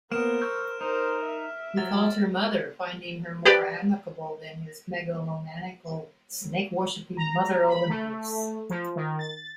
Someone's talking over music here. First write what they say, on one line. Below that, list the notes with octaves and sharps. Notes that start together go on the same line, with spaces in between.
He called her "mother", finding her more amicable than his megalomaniacal snake-worshiping mother Olympias.
A#3 B3 A#4 C5 F6 D7 E7
C#6 E6 G6
D#4 A#4 C5
E5
F#3 A6
G4 B4 D5
A#5
B5
A3
F3
D#3
A6